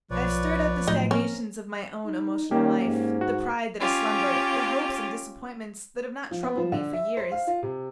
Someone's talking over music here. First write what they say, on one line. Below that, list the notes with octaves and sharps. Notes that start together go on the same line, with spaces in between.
I have stirred up the stagnations of my own emotional life, the pride that has slumbered, the hopes and disappointments that have not troubled me for years.
B1 F3 B4 C#5 D5
A2 F#3 D#4
A#3 C4 C#4 A#5 F6
D#4
D#3 A#3 C#4 G4
G#2
F#4
C#4 F4 G4
F3
B3
F3
D3
E5
C5
F5
F4
C3